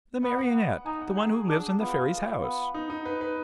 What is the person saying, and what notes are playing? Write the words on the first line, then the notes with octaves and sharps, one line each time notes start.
"The Marionette; the one who lives in the Fairy's house."
B3 F#5
F#5
D#4 G#5
F#5
G#4
D4
B3 F4
F4
B3
D#4
D#4
B4
B4